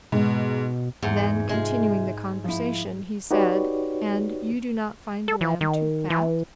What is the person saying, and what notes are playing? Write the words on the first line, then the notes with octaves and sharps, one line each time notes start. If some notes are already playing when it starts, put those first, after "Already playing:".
Then, continuing the conversation, he said: "And you do not find the lamb too fat?"
G#2 B2
E2 G#2 F#5
C3 G#3 F4
F3 E4
D#4 F#4 G4 B4 C#5 D5
A4
E3
D#3
E3